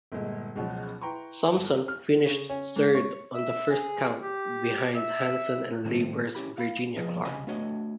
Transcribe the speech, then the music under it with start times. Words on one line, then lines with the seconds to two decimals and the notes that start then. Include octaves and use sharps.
Thompson finished third on the first count, behind Hanson and Labor's Virginia Clarke.
0.12 G1 A#2 G#3
0.55 C#2 B2 F3 F#3
1.01 E4 B4 G5 A#5 C6 C#6
1.57 G1
1.88 F6
2.26 C#3
2.50 C#4
2.76 G#2
2.95 C#5
3.34 E5
3.70 G#4
4.22 G4
4.95 E5
5.84 A2 D#3 G3 A3 C4
6.35 C#4 E4 G4 B5
6.58 F5 B5
6.97 C2 F3 F4 G#4 B4 D#5
7.24 C2 C#3 D#5 G#5 B5
7.47 A3 B3 D4 F#4 C#5 D#5